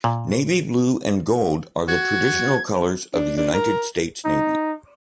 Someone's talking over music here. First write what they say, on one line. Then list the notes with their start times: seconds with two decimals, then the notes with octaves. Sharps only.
Navy blue and gold are the traditional colors of the United States Navy.
0.04 A#2
1.88 F#4 G#6
3.15 D4
3.37 D4
3.54 A#4
4.25 D#4